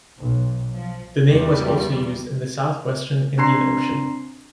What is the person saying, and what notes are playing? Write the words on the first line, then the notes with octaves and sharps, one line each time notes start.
The name was also used in the southwestern Indian Ocean.
B1
F3
E2 G3
C4 D4 A#5 C6 C7